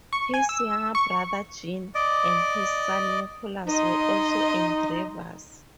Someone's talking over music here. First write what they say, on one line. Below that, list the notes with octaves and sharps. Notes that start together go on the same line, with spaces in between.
His younger brother Jean, and his son Nicholas, were also engravers.
C#6
G#5
E6
C#6
D5 D#5 D6
D#4 D#5 C6